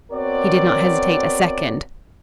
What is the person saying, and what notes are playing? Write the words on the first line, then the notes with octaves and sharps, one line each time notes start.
He did not hesitate a second.
B3 C4 F#4 A#4 C#5 D5